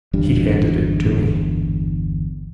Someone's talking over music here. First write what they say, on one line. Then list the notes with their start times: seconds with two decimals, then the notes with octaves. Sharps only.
He handed it to me.
0.13 G1 E2 G3 D4